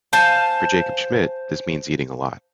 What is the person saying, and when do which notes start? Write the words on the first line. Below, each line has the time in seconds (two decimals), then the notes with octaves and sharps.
For Jacob Schmidt, this means eating a lot.
0.13 C5 F5 G#5 A5